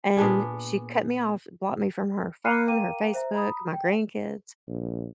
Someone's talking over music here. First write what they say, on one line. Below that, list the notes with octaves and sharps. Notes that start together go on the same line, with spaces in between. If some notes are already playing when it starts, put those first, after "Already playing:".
and she cut me off, blocked me from her phone, her Facebook, my grandkids,
A#2 B3 D4 G#4
B5 F6 F#6 C7 C#7 D#7
A#4 F5 G5 A#5 D6 D#7
C5 E5 A#5
A#5 B5 D#6
G5
A#1